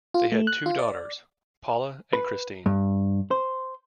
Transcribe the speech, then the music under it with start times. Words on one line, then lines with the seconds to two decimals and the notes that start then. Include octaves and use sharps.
They had two daughters, Paula and Christine.
0.14 F4
0.32 A3
0.47 F#6
0.66 F4
0.79 D5
2.13 B4
2.66 G2
3.31 C5